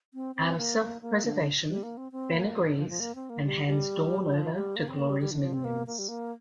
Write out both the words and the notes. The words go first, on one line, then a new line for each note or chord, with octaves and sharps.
Out of self-preservation, Ben agrees, and hands Dawn over to Glory's minions.
C4
C4
A#3
A#3
A#3
D3
G3
A#3
C4
C4
A#3
F3
D3
F3
F3
A#3
C4
A#3
G3
G3
F3
G3
A#3
C4
A#3
G3
G3
D3
F3
C4
A#3
A#3
G3
A#3